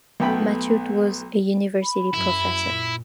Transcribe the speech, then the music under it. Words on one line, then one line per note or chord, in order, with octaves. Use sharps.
Matute was a university professor.
B1 A3 B3 G5 B5
B5
F#2 E4
A#2